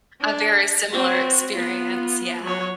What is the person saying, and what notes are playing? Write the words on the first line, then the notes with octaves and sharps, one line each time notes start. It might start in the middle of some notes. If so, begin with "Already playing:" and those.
A very similar experience, yeah.
D4
C4 F#4
B3 F4
F#3 C#5